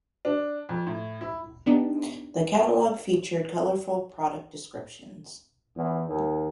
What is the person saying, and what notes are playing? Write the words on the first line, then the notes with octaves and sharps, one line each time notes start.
The catalog featured colorful product descriptions.
D4
F2
A2
E4
B3 D4 D#4 G4
E2
D#2